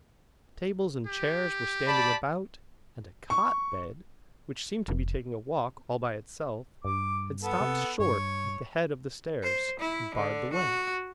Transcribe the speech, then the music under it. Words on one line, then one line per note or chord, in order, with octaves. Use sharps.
Tables and chairs were standing about; and a cot-bed, which seemed to be taking a walk all by itself, had stopped short at the head of the stairs, and barred the way.
G4
D5 A5 B5
C#6
F1
G2 D6
B3 A4
C3
G2 C#5
C5
E4
D3
F#4